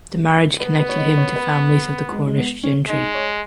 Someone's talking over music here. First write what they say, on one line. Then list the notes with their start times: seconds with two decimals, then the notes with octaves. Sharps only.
The marriage connected him to families of the Cornish gentry.
0.60 B3 B4
0.79 B4
0.89 C#5
0.98 D#5
1.17 C#5
1.36 B4
2.12 G#3
2.27 G#3
2.38 B3
2.63 C#4
2.88 G#3 D#4
3.14 C#5